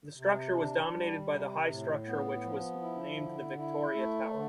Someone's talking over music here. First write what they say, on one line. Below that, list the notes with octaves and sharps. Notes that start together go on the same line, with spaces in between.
The structure was dominated by the high structure which was named the "Victoria Tower".
C3
D4
G3
C3
A2
B3
F3
E4
D3
E4
A3
D3